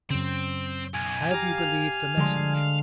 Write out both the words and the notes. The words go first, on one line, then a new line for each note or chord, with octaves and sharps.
Have you believed the message?
F#2 C#3 C4
B1 G#5
G4 F5 A#5
D3 F3 G#3 C6